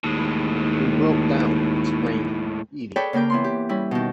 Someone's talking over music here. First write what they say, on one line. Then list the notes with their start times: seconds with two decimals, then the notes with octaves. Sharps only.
"We broke down," explained Edie.
0.04 D#2 A2 G#3
2.96 G#4 A4 B4 C#5 D5 G5
3.13 C#3 A#3 A#4 G5 D6
3.30 E3 B3 C6
3.44 G4
3.69 G3 C#4 E4
3.91 B2 D#3